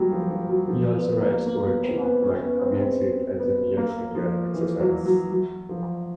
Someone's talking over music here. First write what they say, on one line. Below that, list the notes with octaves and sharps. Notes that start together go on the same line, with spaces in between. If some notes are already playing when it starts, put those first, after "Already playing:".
He also writes poetry, but views it as a mere finger exercise.
Already playing: F#3 G3 A#3
F3
F3
F#3
F3
B3
A#3
A#3
B3
C4
B3
C#4
B3
C4
C4
B3
A#3
F3
E3
F#3
F#3
F#3
F3